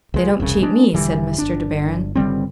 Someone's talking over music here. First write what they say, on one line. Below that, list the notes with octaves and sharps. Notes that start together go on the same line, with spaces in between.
"They don't cheat me," said Mr. De Baron.
C#2 G#3
E1 C2 C#3
G#3 D4
E1 D3 E3 G3
G1 D4
G1 C#3 G3 C4